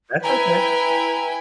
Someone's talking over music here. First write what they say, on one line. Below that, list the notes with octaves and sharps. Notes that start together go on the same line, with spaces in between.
That's okay.
E4 B4 G5 G#5 A#5